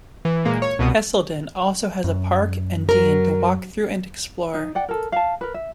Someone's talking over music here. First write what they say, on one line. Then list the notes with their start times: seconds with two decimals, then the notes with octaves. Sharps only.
Hesleden also has a park and Dene to walk through and explore.
0.25 E3
0.45 A#2 G#3 A#3
0.62 C#5
0.79 C2 B2 B3 D#6
2.04 F#2
2.89 F#3 A#4
4.54 D#4
4.75 D5 F#5 G5
4.89 A4 A#4
5.12 F5 A5
5.41 A#4 B4
5.54 E5